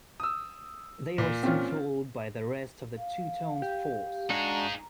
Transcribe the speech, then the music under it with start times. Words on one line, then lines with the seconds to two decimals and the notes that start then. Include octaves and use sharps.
They were soon followed by the rest of the Teutones' force.
0.20 D#6 E6
1.18 A#2
1.43 C4 C#4 F4
2.97 F5
3.62 G4
4.30 G#3 D4 D#4 F#4 G#4 A#5